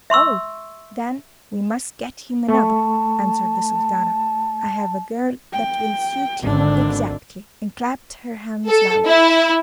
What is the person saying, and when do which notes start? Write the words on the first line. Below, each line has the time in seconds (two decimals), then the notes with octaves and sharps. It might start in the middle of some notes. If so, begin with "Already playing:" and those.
'Oh, then we must get him another,' answered the Sultana; 'I have a girl that will suit him exactly,' and clapped her hands loudly.
0.10 E5 C6 C#6 E6
2.48 A3 A5 C#6
5.53 G5
6.43 G#1 D3 D4
8.67 A4
9.06 E4